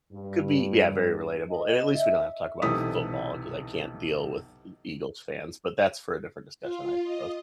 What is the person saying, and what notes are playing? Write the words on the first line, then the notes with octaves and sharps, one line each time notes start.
could be, yeah, very relatable, and at least we don't have to talk about f football, 'cause I can't deal with E Eagles fans, but that's for a different discussion, I suppose.
G2
D#5
E5
B1 C3 E3 A4 D#6 B6
F4
D#5